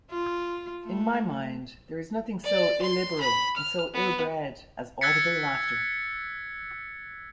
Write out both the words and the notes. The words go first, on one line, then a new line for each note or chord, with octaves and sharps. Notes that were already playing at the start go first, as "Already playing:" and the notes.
In my mind, there is nothing so illiberal, and so ill-bred, as audible laughter.
F4
A3
D5
C6
B5
F6
B3
E6 F#6 G#6 A6 B6 C#7